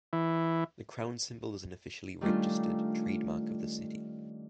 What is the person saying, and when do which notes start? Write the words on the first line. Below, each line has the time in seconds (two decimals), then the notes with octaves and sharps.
The crown symbol is an officially registered trademark of the city.
0.13 E3
2.21 D#3 G3 A3 C#4 D4 F4